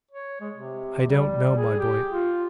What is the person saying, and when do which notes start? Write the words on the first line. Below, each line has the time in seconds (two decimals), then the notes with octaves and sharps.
"I don't know, my boy."
0.11 C#5
0.41 G#3
0.54 C3
1.08 G3
1.57 G#4
1.79 G4
2.11 F4